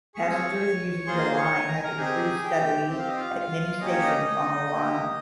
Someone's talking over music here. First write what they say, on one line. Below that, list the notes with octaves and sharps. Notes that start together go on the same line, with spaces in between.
Passengers using the line have increased steadily at many stations on the line.
C4 F4 G#4 C#6
C#5 C#6
A#3 F4 G#4 C5 C6
C#5 C#6
A#5
G#5
A#4 A#5
C4 D#4 G4 G#4 G#5
G4 G5
C4 G4 G5
F5
D#5
F4 F5
A#3 C#4 G4 D#5
C#5
D#4 D#5
A#3 D#4 G4